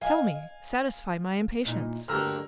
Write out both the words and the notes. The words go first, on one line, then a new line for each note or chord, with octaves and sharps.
"Tell me; satisfy my impatience."
D#5 F5 G#5
E2 A#2 D#4
D2 G2 D#3 A#3 A#5 E6 F6